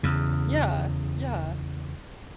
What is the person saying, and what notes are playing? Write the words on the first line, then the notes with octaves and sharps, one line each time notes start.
Yeah. Yeah.
E2 C#3